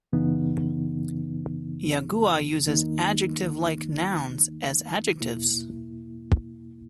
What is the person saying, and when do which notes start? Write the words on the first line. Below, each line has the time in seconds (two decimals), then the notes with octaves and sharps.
Yagua uses adjective-like nouns as adjectives.
0.13 F#2 C#3 E3 B3 D#4
2.67 E2 D#3 A#3 D#4
5.21 E2 B2 A#3 E4